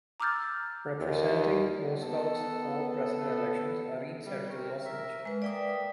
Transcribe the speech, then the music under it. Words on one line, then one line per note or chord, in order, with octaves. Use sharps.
Representing Roosevelt's four President elections are each side of the lozenge.
A#5 D6 E6 F6 G6 A6
D#2
B3 A4
G3
C4 F#4 A#4
A#4 E5
G#3 B4
A#3 D5 E5 G5 D#6